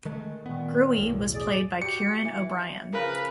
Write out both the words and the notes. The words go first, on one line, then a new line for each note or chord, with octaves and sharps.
Gruey was played by Kieran O'Brien.
D#3 G#3 A3
A#2 D#3 B3
B1 E2 A2
G#4 D5
F#4 G4 D5 C#7
E3
C#3 F3 A#4 B4